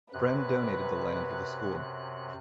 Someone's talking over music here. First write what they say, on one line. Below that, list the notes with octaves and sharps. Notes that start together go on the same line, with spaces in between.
Fremd donated the land for the school.
F#2 C3 B4 F#6